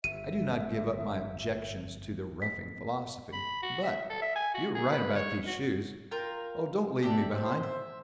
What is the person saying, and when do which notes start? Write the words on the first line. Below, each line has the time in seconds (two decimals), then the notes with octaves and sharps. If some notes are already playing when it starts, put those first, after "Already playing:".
I do not give up my objections to the roughing philosophy, but---- You were right about these shoes---- Oh, don't leave me behind!
0.04 G1 E5 D#7
2.42 B6
3.32 B5
3.63 F#4
3.83 E5
4.10 A4
4.22 E5
4.36 G#5
4.54 F#4
4.75 G#4
4.92 B4
5.15 C#5
5.47 F#4
6.11 F4 A#4 G5
7.03 D4 G4 D5 E5
7.31 C5
7.63 E5